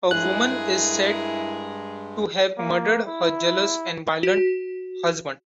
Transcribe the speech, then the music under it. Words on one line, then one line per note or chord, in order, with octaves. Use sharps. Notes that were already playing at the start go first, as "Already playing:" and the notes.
A woman is said to have murdered her jealous and violent husband.
G2 G#3 E4 G#4 A#4 F#6
A#3
E4
F#4